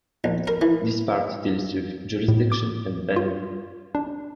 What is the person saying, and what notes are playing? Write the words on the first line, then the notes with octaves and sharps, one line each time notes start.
This part deals with jurisdiction and venue.
A#1
A#4
E3
A2
D6
F4
D4